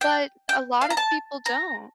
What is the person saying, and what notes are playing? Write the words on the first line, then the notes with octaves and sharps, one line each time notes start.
But, a lot of people don't.
G5
G5
F5
A#5
A5
A#5